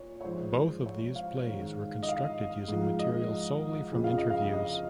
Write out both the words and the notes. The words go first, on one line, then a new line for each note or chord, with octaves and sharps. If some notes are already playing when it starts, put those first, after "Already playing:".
Both of these plays were constructed using material solely from interviews.
Already playing: A#2 C#5
C#5
G#2 F3 C5
C#5
F5
G#2 D#3
D#5
F5
G#2 F3
D#5
F2 C#3 F3
F5
D#5
F5
D#5